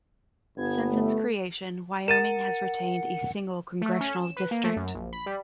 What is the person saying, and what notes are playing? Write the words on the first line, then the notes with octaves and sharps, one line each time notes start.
Since its creation, Wyoming has retained a single congressional district.
G1 B3 G#6
A3
A#4 F#5 A6 D#7 E7
A3
C#4
E7
B4
A#3
A3
F#2
A#1
B5
G3